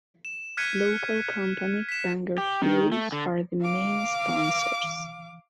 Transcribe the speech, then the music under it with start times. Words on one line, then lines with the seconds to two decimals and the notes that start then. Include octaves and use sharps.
Local company Bangor Fuels are the main sponsors.
0.25 E7
0.57 F6 F#6 G#6 B6 C#7 D#7
1.89 B6 E7
2.38 G4
2.62 D#3
2.92 A3
3.12 D3
3.61 F5 D6